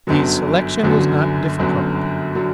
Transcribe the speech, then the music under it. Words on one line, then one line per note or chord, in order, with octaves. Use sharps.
The selection is not difficult.
G1 F#2 D3 F#3
G1 F#2 D3 F#3
G1 F#2 D3 F#3
D3 F#3